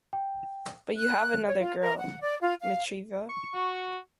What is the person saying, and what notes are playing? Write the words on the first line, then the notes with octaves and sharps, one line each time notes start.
But you have another girl, Dmitrieva.
G5
F#6
C#5
F4
A#4
F#5
D5
F4
F5
C#6
F#4